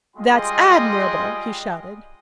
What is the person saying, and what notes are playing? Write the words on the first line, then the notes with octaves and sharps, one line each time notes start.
"That's admirable!" he shouted.
G3 G#3 F4 D#5 G5 C6